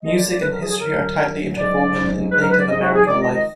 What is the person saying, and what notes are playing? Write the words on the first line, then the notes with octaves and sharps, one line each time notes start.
Music and history are tightly interwoven in Native American life.
F#2 D3 F#3 D#5
D5
D5
F#2 D3 F#3 B4
A#4
G#4
G#4
F#2 D3 F#3 A#4
F#2 D3 F#3
G#2 F#3 D5
G#2 F#3
G#2 F#3 B4
A#4
B4
D5
G#2 F#3 D#5
F#4
G#4
F2 D#3 G#3 D5
D#5
D#5